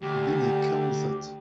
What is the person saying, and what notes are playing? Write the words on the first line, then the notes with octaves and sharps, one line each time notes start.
Vinnie kills it!
D2 G4